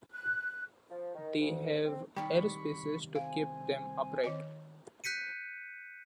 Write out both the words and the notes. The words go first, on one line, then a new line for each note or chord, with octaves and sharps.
They have air spaces to keep them upright.
F#6
F3
D#3
D2
C4
C2 D#3 G3 G5 B5 C#6
C4 F5 G#5
D#3 D#5 G#5
F#6 G6 B6 C#7 D#7